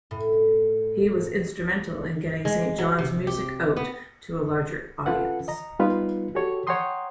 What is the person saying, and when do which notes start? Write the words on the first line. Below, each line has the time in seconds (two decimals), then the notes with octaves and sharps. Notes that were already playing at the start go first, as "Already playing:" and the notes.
He was instrumental in getting Saint John's music out to a larger audience.
0.11 A2
2.45 G#3
2.78 F#3
2.99 C3
3.27 G4
3.77 B3
5.06 C#4 F4 A4 B4 F#5
5.48 D#5 A#5
5.79 G3 B3 D#4 F4 B4
6.35 F#4 G4 A4 C#5
6.67 C#5 F#5 G5 A#5 C6 D#6